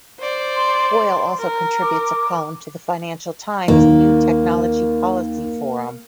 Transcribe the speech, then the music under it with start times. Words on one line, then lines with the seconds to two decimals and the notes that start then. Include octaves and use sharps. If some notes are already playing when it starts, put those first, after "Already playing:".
Boyle also contributes a column to the "Financial Times" New Technology Policy Forum.
0.20 C5 D5
0.56 C6
1.39 A#4
1.82 D6
3.68 D#2 A#3